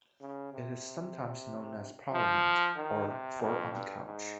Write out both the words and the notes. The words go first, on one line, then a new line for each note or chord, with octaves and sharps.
It is sometimes known as "Parliament" or "Four on the Couch".
C#3
C3
F3
D#3
C3
F2
G2
G#2